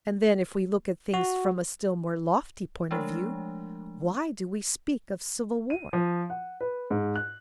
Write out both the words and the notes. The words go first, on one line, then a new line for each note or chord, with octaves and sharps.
And then if we look at things from a still more lofty point of view, why do we speak of civil war?
F#4
F3 G#3 A3 D4
D#7
F3
F#5
B4
G#2
F#6